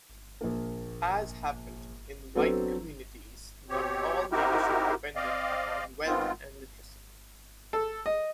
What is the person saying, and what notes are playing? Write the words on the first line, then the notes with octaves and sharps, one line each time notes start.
As happened in white communities, not all leadership depended upon wealth and literacy.
A#1 A#3
F#3 B3 C4 D4 A4
B2 C4 G4 C#5
C4 D#4 E4 F#4 G4 A#4
C4 D5 D#5 F5
D#3 G#3 B3 C4 F4
A4
D#5